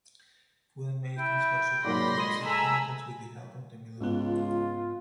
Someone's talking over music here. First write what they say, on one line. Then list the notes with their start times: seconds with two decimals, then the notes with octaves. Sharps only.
Food and medicines were supplied to its inhabitants with the help of the military.
1.18 E4 G5
1.84 G#2 F#3 A#3 D5 B5 C6 A#6
2.18 G#3 G#4 D#7
2.46 A4 G#5 A#5 B5 E6
4.00 C#2 G#2 B3 F4